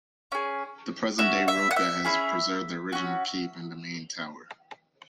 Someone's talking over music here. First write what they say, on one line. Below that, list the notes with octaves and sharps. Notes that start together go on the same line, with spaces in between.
The present-day Rocca has preserved the original keep and the main tower.
C#4 G#4
C#4 F#4 E5
E5
F#5
E5
C#4 E4 G#4
C#4 F#4